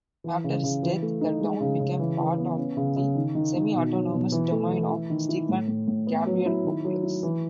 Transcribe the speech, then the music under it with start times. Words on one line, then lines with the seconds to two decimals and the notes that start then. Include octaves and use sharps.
After his death, the town became part of the semi-autonomous domain of Stephen Gabrielopoulos.
0.24 E3
0.44 C#3
0.63 C#3
0.83 E3
1.02 A3
1.21 D#4
1.41 G#3
1.60 C#3
1.80 C#3
2.00 E3
2.19 E3
2.38 B3
2.57 C#4
2.77 C#3
2.96 C#3
3.15 D#3
3.35 D#3
3.55 D#3
3.74 B2
3.93 F#3
4.12 B2
4.32 E3
4.52 A3
4.71 E3
4.91 E4
5.10 D#3
5.29 E4
5.49 A2
5.68 A2
5.88 A2
6.07 B3
6.26 F#3
6.46 E4
6.64 D#3
6.84 F#3
7.03 E4
7.23 E3